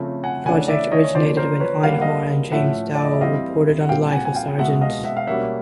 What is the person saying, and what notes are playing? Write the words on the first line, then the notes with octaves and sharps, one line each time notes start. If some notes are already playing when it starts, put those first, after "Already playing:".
The project originated when Einhorn and James Dao reported on the life of Sgt.
Already playing: C#3 F3 A3 C4
F#5 G#5
C#3 E3 A3 D4 F#5 G#5
D5 E5
C#5 D#5
C#5
C#3 F3 A#3 C5 D5
A#4 C5
B4 C#5
D3 G3 A#3 F5
F#5
D#5 F5
A2 F3 A3 C#4 E5 F#5
D5
D#5
E5
E3 G3 C4 D#5 F5
F#5
A#2 G3 C4 F5 G5
F#5 G#5
G#5
F5 G5
B2 G#3 B3 E5 F#5
D#5 F5
E5 F#5
F5
B2 G3 A#3 C#4 E5 F#5